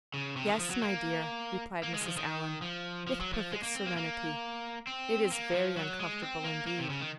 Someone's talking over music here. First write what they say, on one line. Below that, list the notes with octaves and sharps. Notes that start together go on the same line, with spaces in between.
"Yes, my dear," replied Mrs. Allen, with perfect serenity, "it is very uncomfortable indeed."
C#3
C3
D#3
F3
F#3
A#3
A#3
G#3
D#3
F3
D#3
F3
F3
F#3
F3
G#3
A#3
C4
A#3
A#3
C4
A#3
D#3
F3
F#3
G#3
C4
A#3
A#3
C3
C#3
D#3